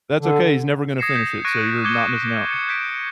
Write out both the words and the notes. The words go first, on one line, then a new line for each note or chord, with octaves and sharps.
That's okay, he's never gonna finish it, so you're not missing out.
D3
D#6 G#6 A#6 C7 C#7 E7
D#6 G6 B6
C#6 F#6 G#6 A#6 D7 D#7
D6 G6 G#6 C#7 G7
G#6 C#7
G6 B6 D7